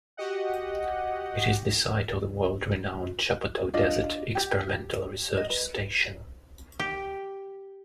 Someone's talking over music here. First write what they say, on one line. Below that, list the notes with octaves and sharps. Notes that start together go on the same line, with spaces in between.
It is the site of the world-renowned Shapotou Desert Experimental Research Station.
F#4 G4 D#5 F#5
D4 F4 D#5
G4
D#5
B4
G4